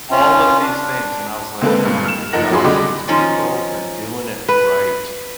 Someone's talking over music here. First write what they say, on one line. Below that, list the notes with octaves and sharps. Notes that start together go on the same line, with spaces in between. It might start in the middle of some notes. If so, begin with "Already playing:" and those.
all of these things, and I was like, "Oh my gosh, these people are doing it right."
C#4 F4
D4
D3 G#3 A#3 C4 A4 B4
G2 A#2
F6 E7
F#1 F3 D#4 A#4 F#5 A#6
F#3 F4 G#4 B5 C6
D3 G3 F#4 D#5 B5 D6
D#3 F3 C#4 D#4
B4